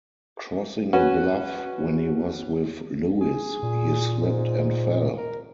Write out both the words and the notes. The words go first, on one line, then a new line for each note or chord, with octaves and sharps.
Crossing a bluff when he was with Lewis, he slipped and fell.
C#4 F#4 B4
G#4
A#2
G#2
A#4